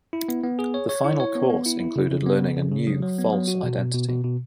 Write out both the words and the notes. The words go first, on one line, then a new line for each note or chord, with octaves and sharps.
The final course included learning a new, false identity.
E4
B3
B3
G#4
C#5
C#5
E4
C#5
B3
B3
E4
E4
C#3
C#3
B3
C#3
C#3
C#3
F#3
F#3
B3
F#3
F#4
B2
B2
B2
B2
B2